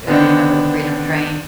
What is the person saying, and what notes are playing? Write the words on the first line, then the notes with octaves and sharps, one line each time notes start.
if you 'member the Freedom Train-
D3 D#3 B3 C4 D4